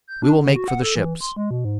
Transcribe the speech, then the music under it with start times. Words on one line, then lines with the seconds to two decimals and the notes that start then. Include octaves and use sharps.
We will make for the ships.
0.08 G6
0.22 D4
0.38 D3
0.56 F#4
0.68 F#5
0.82 A4
0.96 E3
1.21 C6
1.36 G#3
1.51 B2
1.65 G#2